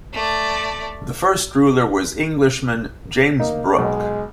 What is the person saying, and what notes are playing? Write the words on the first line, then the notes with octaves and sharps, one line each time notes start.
The first ruler was Englishman James Brooke.
A3 D5
A#3 D#4
B1 G#3